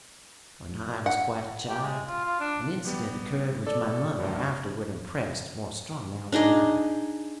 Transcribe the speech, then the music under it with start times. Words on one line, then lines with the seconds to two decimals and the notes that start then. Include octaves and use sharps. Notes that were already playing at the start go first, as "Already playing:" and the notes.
When I was quite a child, an incident occurred which my mother afterward impressed more strongly on my mind.
1.06 F#5
1.69 G4
1.81 G#3
2.08 F4
2.25 F4
2.40 D4
2.85 G3 B3 G4
3.67 A4 D5
4.20 D2 G2
6.32 D4 D#4 G#4 D#5